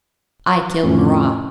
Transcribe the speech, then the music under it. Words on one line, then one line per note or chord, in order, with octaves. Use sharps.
"I killed Marat!"
F2 A2 C#4